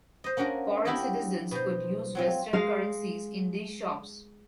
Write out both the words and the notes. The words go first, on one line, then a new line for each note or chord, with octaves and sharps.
Foreign citizens could use western currencies in these shops.
C5 D#5
A#3 C#4 D4 F#4 A#4
D4 E4 F#4 G4 C#5 D#5
B2 C5
F#3 C4 F4
G#3 F5